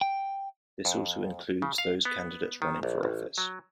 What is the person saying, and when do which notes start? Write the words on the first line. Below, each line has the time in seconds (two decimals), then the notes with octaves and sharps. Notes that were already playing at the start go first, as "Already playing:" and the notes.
This also includes those candidates running for office.
0.01 G5
0.85 F2
1.62 C#3
1.78 F5
2.05 B3
2.62 D#3
2.83 A#1
3.03 A1
3.38 F#3